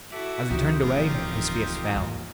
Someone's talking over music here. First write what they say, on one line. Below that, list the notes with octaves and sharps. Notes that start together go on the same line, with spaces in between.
As he turned away his face fell.
E4 F#4 A4 E5 D6
C#2 E3 F3 C4 D#4 G4
D1 E2 A2 C#3 F3 F4 A#4
D#2 G#2